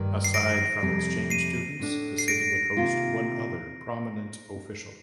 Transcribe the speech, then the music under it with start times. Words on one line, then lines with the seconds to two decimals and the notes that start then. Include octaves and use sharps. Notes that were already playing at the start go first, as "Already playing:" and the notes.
Aside from exchange students the city would host one other prominent official.
Already playing: G2 D#3 A#3
0.24 C7
0.34 A#6 D7
0.82 F2 C3 G3 A#3
1.30 C7 D#7
1.79 A2 A3 D4
2.18 C7
2.28 A#6 D7
2.77 C3 D#3 A#3 F4